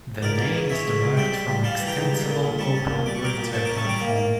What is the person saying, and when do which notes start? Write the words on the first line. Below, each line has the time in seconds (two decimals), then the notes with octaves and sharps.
The name is derived from "eXtensible Open Router Platform".
0.22 C#2 A#4 D5
0.38 E3
0.55 C#3
0.69 E3 C#5 E5
0.85 C#2
1.01 C#3
1.17 G3 E5 G5
1.32 G3
1.48 G3
1.64 G3 F5 A5
1.80 E3
1.88 G5 A#5
1.96 C#2
2.11 G3
2.27 A#2
2.43 A#2
2.59 G3 A5 C#6
2.75 C#4
2.90 A#2
3.06 G3 D6
3.15 C#6
3.22 G3 A#5 D6
3.38 A#2
3.53 A#2 A5 C#6
3.65 A#5 D6
3.70 C#4
3.76 A5 C#6
3.85 G3 A#5 D6
4.01 A#3
4.16 A#3